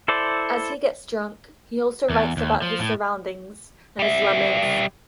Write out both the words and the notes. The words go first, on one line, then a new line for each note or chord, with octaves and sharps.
As he gets drunk, he also writes about his surroundings and his laments.
E4 A4 C5 D5
E2
D#2
F3
A2
G3 E5